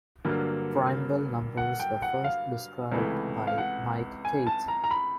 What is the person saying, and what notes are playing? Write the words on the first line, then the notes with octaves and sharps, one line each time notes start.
Primeval numbers were first described by Mike Keith.
G2 D3 F#3 A#3
F#5
G5
F#5
F5
C#2 C3 E3 A3
F5
F#5
G#5
A5
A#5
A#5
B5